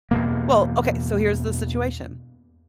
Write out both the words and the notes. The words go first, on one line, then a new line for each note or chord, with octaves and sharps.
Well, okay, so here's the situation,
E2 G2 B2 A#3